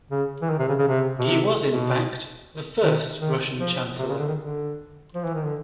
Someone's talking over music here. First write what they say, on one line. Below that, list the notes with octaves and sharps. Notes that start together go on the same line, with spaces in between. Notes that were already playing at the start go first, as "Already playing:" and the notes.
He was, in fact, the first Russian chancellor.
C#3
E3
D#3
C3
C#3
C#3
C3
B2
C3
B2
D#3
D#3
F3
C3
C#3
D3
D#3
D3
F3
E3
D#3
D3